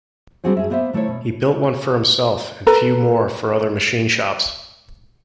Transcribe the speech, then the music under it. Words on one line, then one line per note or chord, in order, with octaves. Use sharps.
He built one for himself and few more for other machine shops.
G3 C4 D4 F#4 G#4 C5
G2 G#4 E5
A#3 B3 C5 D#5 E5
D#3 A3 E4 C5 C#5
B2
A4 B4 A#5